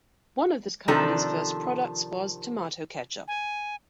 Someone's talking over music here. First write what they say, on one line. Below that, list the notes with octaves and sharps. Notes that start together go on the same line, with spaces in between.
One of this company's first products was tomato ketchup.
C3 D#3 F3 D4 A4 A#5
G#5